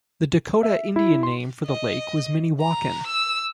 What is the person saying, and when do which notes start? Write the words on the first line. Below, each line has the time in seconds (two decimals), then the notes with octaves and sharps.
The Dakotah Indian name for the lake was Minnewaukon.
0.63 E5
0.96 E4
1.23 C6
1.66 D#5
2.61 A#5
3.07 E6